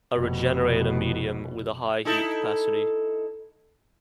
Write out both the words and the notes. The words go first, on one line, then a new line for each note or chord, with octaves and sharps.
A regenerator is a porous medium with a high heat capacity.
F1 B2
D#4 E4 A4